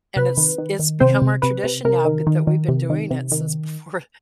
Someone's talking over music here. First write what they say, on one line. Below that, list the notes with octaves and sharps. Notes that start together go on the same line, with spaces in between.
and it's it's become our tradition now th that we've been doing it since before
C3 B4
D#3
D#3
D#3
C3 C4 C5
C3
C3 B4
C3
C3 A#4
D#3
D#3
D#3
C3
D#3
C3
D#3